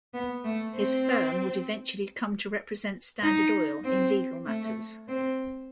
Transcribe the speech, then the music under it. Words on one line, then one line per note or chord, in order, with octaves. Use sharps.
His firm would eventually come to represent Standard Oil in legal matters.
B3
A3
C4
D#4
C4
A3
C4